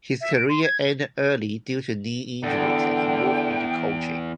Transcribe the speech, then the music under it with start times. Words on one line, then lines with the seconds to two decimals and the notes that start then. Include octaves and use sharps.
His career ended early due to knee injuries, and he moved into coaching.
0.21 E5
0.36 D7
0.49 C6
0.64 G#6
2.43 E2 D3 G5